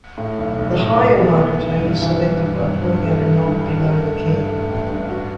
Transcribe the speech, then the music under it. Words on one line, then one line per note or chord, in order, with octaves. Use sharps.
The higher microtone is selected by pulling out a knob below the key.
A2
B1
B1
A2
A2
B3
B3
B1
G2
E3
G2
G2
G2
G2
A3
G2
G2
A1
A3
A3
G2
A3
A1
G2
F#4